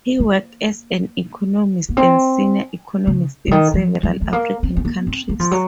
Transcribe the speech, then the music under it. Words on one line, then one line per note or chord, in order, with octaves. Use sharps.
He worked as an economist and senior economist in several African countries.
A#3
A#3
C4
C#3
C#3
D#3
F3
F#3
A3
A#3
C4
C4
A#3
C4
A#3
F3
F#3